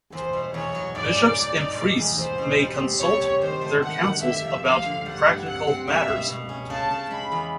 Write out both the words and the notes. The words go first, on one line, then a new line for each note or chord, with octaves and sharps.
Bishops and priests may consult their councils about practical matters.
E2 C5
B2
E2 C#5
F#3
G#2 D5
G#2
G#2
D#4
B2
E2
E2 C5
B2
G3
C3
G3 C#5
G3
D#3 C5
A3
D#3 F#5
D#3
D3 E5
F3
F3 F5
D3
G3 F#5
G2
C4 F#5
C4
A#3 E5
B2
B2
C#4
C#3 A5
C#3
G#3 B5
E2